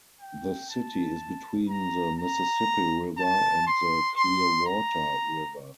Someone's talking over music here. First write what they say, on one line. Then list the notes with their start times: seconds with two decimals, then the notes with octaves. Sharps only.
The city is between the Mississippi River and the Clearwater River.
0.21 G5
0.70 A5
1.69 A#5
2.19 A#5
3.18 A5
3.67 C6
4.17 C6
4.66 A#5